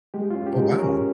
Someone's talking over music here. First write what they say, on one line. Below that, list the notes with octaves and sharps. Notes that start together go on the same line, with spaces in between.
Oh, wow.
G#3 G4
F4
C#4
G4
G#3 A#4
C#4 A#4